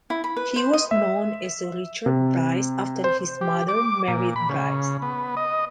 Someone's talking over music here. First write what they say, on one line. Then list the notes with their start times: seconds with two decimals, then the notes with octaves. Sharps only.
He was known as Richard Bryce after his mother married Bryce.
0.10 E4
0.24 B5
0.37 B4
0.56 C5
0.73 D#5
0.91 E5
2.06 C3
3.04 C5
3.41 G4
3.68 D6
4.08 A#2
4.36 B5
4.49 C#3
5.02 B3
5.37 D#5